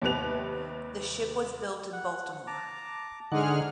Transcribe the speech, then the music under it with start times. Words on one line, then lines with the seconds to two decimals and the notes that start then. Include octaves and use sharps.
The ship was built in Baltimore.
0.02 D#2 C3 G3 B3 F#6 F7
1.93 F#5
2.47 A5 A#5 D6
3.32 G#2 D3 G#3 D#4 G#4 F#5 D6 F6